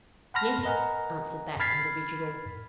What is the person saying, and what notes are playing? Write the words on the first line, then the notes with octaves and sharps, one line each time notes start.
"Yes," answered that individual.
F#5 A5 B5 C6 F6 A#6
A#4 B4 D#5 F#5 G#5 A#5
B5 F6 G#6 A6 B6 C7